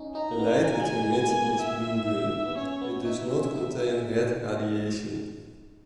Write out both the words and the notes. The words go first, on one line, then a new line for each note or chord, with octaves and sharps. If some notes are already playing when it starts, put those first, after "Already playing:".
The light it emits is blue-green, it does not contain red radiation.
Already playing: C#4 D#4
D#4 A#5
A#3
B3
A#3
G#5
G#3
G#3
B3 G#5
A#3
A#3
E5
B3
C#4 C#5
B3
D#4 E5
B3
C#4
D#4